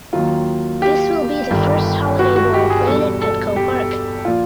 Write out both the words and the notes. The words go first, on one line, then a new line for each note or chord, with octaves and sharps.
This will be the first Holiday Bowl played at Petco Park.
D#2 D#3 F#3 F4
G4
G1 G2 D#3 G3
F#4
F#4
G4
G#4
E2 B2 G3 A4
A4
G4
A#2 F3 F4